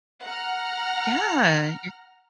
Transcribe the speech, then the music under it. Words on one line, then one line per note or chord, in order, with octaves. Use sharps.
Yeah, you're
F#5 A#5 F6